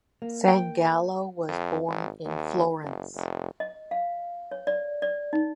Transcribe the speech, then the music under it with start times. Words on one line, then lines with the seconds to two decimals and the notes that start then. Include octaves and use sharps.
Sangallo was born in Florence.
0.22 A#3
0.48 G5
1.48 F2
1.88 G#1
2.25 D#2
2.83 F#1
3.15 F1
3.60 D#5
3.91 F5
4.51 C#5
4.67 D5
5.02 D5
5.33 D#4